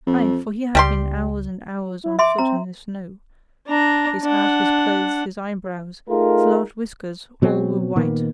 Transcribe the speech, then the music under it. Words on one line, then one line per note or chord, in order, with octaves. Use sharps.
Aye, for he had been hours and hours on foot in the snow; his hat, his clothes, his eyebrows, his large whiskers, all were white.
F2
C#2 G3 G4 C6
E4
E5 C6 D6
C4 A#5
D4 A#5
D4 F#5
A3 D#4 F4 G#4 A#4
B2 F#3 C4
A#2 D#3 A#3 B3